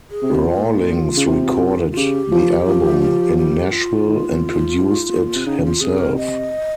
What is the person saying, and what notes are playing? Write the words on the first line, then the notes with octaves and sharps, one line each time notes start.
Rawlings recorded the album in Nashville, and produced it himself.
G#4
C3
F4
A#2
C#3
C3
F4
C#3 G4
F3
F3
G4
F4
D#3
F2
G#2
G#2
A#2
C3
C#3 D#4
F4
C3 G#4
A#4
D#5